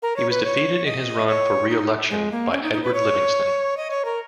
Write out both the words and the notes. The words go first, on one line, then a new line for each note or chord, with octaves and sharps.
He was defeated in his run for re-election by Edward Livingston.
A#4
C#5
B4
C#5
D#5
C#5
D#4
G#3
A#3
C#4
D#4
D#4
B4
C#5
D#5
C#5
A#4